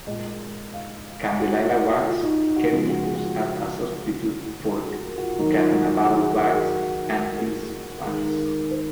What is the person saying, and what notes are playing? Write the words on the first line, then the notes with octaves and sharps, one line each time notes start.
Candelilla wax can be used as a substitute for carnauba wax and beeswax.
A#2 G#3 D#5
F5
F#4
F4
D#4
F#4
C#3 F3 G#3 F4
F#4
G#4
F#4
F4
F#4
G#4
A#4
F#4
F4
D#3 F#3 A#3 D#4
F4
F#4
F#4
G#4
G#4
A#4
F#4
G#4
G#4
D#3 G#3 A#4
G#4
A#4
C5